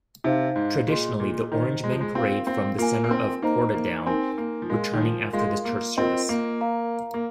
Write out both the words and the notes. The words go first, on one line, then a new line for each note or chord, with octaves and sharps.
Traditionally the Orangemen parade from the centre of Portadown, returning after the church service.
C3 D#4 C5 F5
G#2
A#2 G#4 D#5 C6
A#2
D#3 C5 D#5 A#5
G#3
F3
G#3
C4 F4 A#4 F5 C6
C4
A#3 F4 A#4 G#5
A#3
C4
A#3 D#4 C5 D#5 A#5
A#3
C4 D#4 A#4 G#5 C6
A#3
F3
G#3 A#4 F5 G#5 C6
D#3
F3
G#3 F4 A#4 F5 C6
A#3
C4 F4 A#4 D#5
A#3
A#4 F5 A#5
A#3